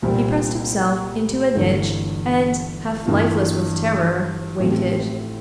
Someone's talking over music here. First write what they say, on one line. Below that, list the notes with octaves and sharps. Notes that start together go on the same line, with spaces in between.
He pressed himself into a niche and, half lifeless with terror, waited.
C2 A#2 G3 C4
G1 G2 E3 A3
G2 E3 A#3 F4
A1 A2 F3 C4 G4